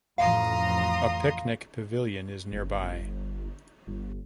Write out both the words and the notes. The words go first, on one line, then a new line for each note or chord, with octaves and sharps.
A picnic pavilion is nearby.
A1 F2 F5 A#5 C6 D#6
G1
G1